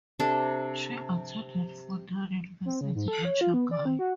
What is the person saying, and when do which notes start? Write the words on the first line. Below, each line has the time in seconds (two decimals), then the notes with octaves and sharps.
She attended Fudan University in Shanghai.
0.19 C3 D4 A4
2.65 C4
2.81 C#3
2.95 G#2
3.08 A4
3.25 C#5
3.41 F4
3.54 B3
3.71 D5
3.85 C4
3.99 F#4